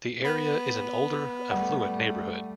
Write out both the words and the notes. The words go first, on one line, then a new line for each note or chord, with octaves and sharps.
The area is an older, affluent neighbourhood.
B3
G3 A3 F#5